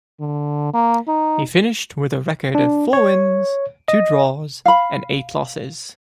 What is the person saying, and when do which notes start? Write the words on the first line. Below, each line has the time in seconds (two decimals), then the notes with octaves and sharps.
He finished with a record of four wins, two draws, and eight losses.
0.20 D3
0.74 A#3
1.08 D#4
2.55 D4
2.93 C#5
3.88 D#5
4.65 F5 B5